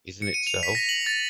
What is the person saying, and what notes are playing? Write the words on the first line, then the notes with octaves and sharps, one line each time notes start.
Isn’t it so?
C#7
D#7
F7
B6
A#6
F#7
A6